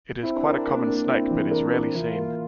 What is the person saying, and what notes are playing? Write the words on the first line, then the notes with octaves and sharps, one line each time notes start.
It is quite a common snake but is rarely seen.
C4 E4
D4
C4 A#4
A#3 D4
A#3
C4 E4
E3
D4 A#4
A#4
E3 F4
A#3